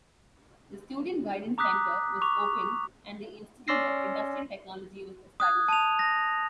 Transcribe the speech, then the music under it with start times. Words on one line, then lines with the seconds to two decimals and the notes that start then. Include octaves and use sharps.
The Student Guidance Center was opened and the Institute of Industrial Technology was established.
1.58 A#5 D6 D#6 F#6 B6
2.22 C#6 D6 F7
3.68 C#4 D5 C6 E6 A#6 C7
5.40 D#6 F#6 G#6
5.68 A5 F7
5.99 A#6